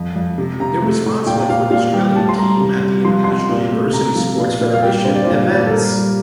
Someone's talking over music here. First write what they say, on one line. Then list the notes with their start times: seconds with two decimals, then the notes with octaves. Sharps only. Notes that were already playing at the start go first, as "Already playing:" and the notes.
They are responsible for the Australian team at the International University Sports Federation events.
Already playing: F2
0.16 F2
0.38 C3
0.60 C3 A#5
0.82 A3
1.05 A2
1.26 A#2 G5
1.49 A#2 F5
1.71 A#2 F5
1.93 G3 G5
2.16 A2 A5
2.29 C6
2.38 G3 A#5
2.60 C3
2.83 G3
3.05 F3 C6
3.24 C3 C6
3.49 A#2
3.71 A3
3.93 C3 A#5
4.15 F3
4.38 A#2
4.61 A#2
4.73 F5
4.82 G3 G5
5.05 G2 C5
5.15 D5
5.24 A#2 C5
5.49 A#2
5.66 A4
5.71 G3 A#4
5.95 G3